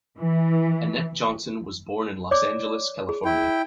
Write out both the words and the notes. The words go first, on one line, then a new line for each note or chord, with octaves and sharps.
Annette Johnson was born in Los Angeles, California.
E3
C#5 D5 D6
G#4
E4 G5